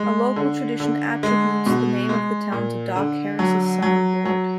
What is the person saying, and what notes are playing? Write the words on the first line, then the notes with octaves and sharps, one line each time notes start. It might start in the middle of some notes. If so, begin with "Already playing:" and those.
A local tradition attributes the name of the town to Doc Harris's son Ward.
Already playing: G#3
D3
D3
G#3
B2
G#3
A#2
D3
F#3
F#3
F#3